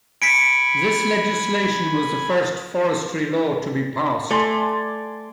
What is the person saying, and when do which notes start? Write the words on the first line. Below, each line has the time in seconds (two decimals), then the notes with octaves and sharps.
This legislation was the first forestry law to be passed.
0.22 G#5 B5 B6 C#7 D7
4.31 A3 D5 G#5 C6